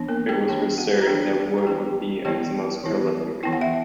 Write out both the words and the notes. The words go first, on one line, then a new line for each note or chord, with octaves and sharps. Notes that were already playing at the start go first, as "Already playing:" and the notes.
It was for Surrey that Wood would be at his most prolific.
Already playing: E3 B3 D4
A#3 A#4
G4 G5
E3 B3 D4 G4 G5
F#4 F#5
A#5
E3 B3 D4 G4 G5
A#5
E3 B3 E4 G4 G5
E3 B3 E4 G4 G5
E3 B3 E4
E3 B3 E4 G5
F#5
E5